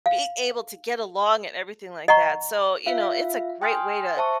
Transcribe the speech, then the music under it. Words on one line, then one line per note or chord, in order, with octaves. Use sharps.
being able to get along and everything like that so, you know, it's a great way to
F5
D#5 F#5 A#5 C#6
F4 E5 F5
G5 G#5 C6 D#6 F6 G6
C5 E5 A5 C#6